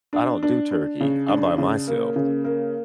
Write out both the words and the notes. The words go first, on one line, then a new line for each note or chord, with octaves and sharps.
I don't do turkey. I'm by myself,
D4
D4
D4
C#3
D4
C#3
A#3
C#3
A#3